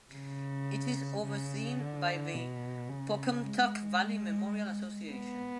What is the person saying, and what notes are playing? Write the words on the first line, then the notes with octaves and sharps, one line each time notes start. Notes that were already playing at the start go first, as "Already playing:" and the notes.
It is overseen by the Pocumtuck Valley Memorial Association.
C#3
C#3
D3
B2
C#3
G#3
B3